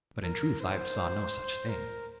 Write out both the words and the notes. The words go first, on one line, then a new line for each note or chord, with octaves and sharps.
But in truth I saw no such thing.
A#4
C5
A#4